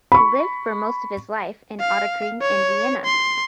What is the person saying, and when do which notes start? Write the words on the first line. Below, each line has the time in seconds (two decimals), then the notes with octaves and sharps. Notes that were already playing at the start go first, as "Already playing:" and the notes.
He lived for most of his life in Ottakring in Vienna.
0.12 B5 C#6
1.80 F5
2.42 C#5
3.05 C6